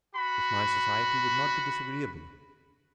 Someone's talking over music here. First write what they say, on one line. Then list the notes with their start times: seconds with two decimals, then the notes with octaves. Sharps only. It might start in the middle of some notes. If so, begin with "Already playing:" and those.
"If my society would not be disagreeable."
0.14 F#4 B5